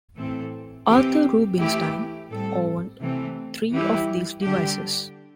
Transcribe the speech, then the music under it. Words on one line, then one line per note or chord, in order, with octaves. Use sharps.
Arthur Rubinstein owned three of these devices.
A2 E3 C4 A4
E3 C4 G4
E3 A3 E4 G4
A2 G3 C4 A4
C3 E3 A3 C4
E3 G3 E4 G4
D3 G3 D4 G4